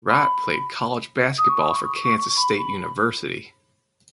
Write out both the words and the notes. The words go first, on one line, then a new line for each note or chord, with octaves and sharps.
Wright played college basketball for Kansas State University.
B5
D#6
C#6
B5
C#6
C#6
B5
B5